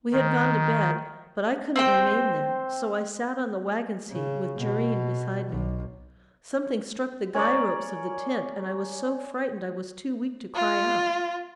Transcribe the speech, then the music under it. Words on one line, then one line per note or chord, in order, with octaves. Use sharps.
We had gone to bed, but I couldn't remain there; so I sat on the wagon-seat with Jerrine beside me. Something struck the guy ropes of the tent, and I was so frightened I was too weak to cry out.
D#3
C4 C5 G5
C#3
B2
B1
C#4 A#4 C#5 D5
F4